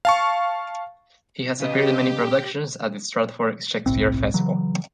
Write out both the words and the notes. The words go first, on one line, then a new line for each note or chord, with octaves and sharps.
He has appeared in many productions at the Stratford Shakespeare Festival.
F5 A5 C#6
C#3 G4 B4 D#5
G1 C2 A2 C4
C#3 E3 F#3